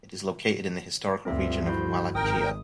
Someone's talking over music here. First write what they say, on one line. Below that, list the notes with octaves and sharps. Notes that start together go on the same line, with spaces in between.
It is located in the historical region of Wallachia.
D2 G2 F3 C4 E5
E4 F#4 G6
G#1 A#4 G5 D#6